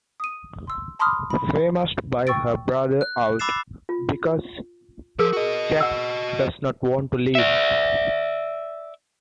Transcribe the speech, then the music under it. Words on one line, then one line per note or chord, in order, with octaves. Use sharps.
Fay must buy her brother out, because Jack does not want to leave.
D#6 D#7
C6 E6
A5 B5 C6 D6 D#6 F6
B5
G5 C#6 E6 A6 D7
F#6
B5 D6 E6 A6 C7 E7
F4
F3 G#4 A#4
F#4 D#5
F#5 E6
D5 E5